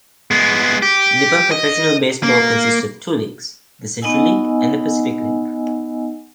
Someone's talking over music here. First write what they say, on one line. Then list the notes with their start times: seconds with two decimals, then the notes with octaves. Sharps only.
Nippon Professional Baseball consists of two leagues, the Central League and the Pacific League.
0.31 G#3 B3
0.82 G4
1.51 D#5
2.23 A#3
4.02 B3 D#4 D#5 F#5 G#5 E6